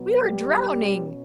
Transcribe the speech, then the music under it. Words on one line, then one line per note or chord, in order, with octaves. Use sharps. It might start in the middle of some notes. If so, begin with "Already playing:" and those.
We are drowning!'
Already playing: B2 F#3 B3
G3 G4
B2 A#3 C#4